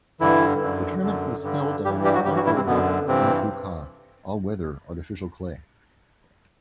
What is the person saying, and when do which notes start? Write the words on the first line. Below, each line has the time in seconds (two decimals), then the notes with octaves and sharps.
The tournament was held on outdoor En-tout-cas, "all-weather" artificial clay.
0.20 G2 D3 E3 E4
0.62 F#2 D3
1.02 F#2 D3
1.43 G2 D3
1.84 G2 G3 G4
1.89 E3
2.04 G3 G4
2.15 F#3 F#4
2.25 G2 G3 G4
2.29 E3
2.36 F#3 F#4
2.46 E3 E4
2.56 C3 C4
2.66 F#2 B2 D3 B3
3.07 G2 C3 E3 C4